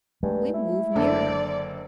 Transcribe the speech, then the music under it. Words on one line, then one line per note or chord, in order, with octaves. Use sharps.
We moved nearer.
G2 G#3 A3
E4
F#1 D3 A4 D5